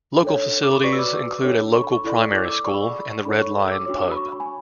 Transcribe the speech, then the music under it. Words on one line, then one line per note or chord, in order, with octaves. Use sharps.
Local facilities include a local primary school and The Red Lion pub.
D4 A4 C#5
D6
B5
F#4 B4 D5 C#6
E6
D6
D4 A4 C#5
C#6
B5
C#6
E4 A4 D5
D6
E6
D6
G#4 D5 C#6
B5
C#6
D4 A4 C#5 B5
C#6
E6
D6
D4 F#4 C#5
B5
C#6
B5
G#5